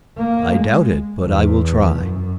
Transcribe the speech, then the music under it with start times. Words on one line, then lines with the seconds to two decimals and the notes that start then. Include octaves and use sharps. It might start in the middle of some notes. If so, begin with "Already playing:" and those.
"I doubt it, but I will try."
0.17 A#3
0.52 G#3
1.25 E2
1.96 F#2